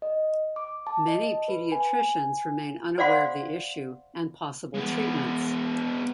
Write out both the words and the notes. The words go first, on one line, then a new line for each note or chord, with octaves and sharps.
Many pediatricians remain unaware of the issue and possible treatments.
D#5
D6
A5
D#5
B4
G#5
C5 D5 F5 F#5 C6
G#3 B3